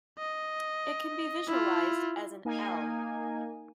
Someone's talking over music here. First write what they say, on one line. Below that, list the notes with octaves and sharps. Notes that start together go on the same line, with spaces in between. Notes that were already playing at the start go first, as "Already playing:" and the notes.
It can be visualised as an 'L'.
D#5
E4 F4
A#3 D#4 G#5